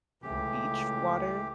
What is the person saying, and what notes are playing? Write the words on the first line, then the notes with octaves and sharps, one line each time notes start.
beach water
C#2 E3 A3 G4